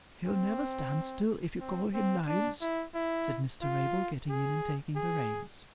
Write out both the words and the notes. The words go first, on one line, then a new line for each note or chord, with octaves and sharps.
'He'll never stand still, if you call him names,' said Mr Abel, getting in, and taking the reins.
C4
C4
C4
D4
E4
E4
F4
G#4
G#4